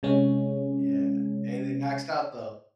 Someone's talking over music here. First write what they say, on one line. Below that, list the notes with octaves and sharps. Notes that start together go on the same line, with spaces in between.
Yeah, and they maxed out, though.
C3 G#3 C#4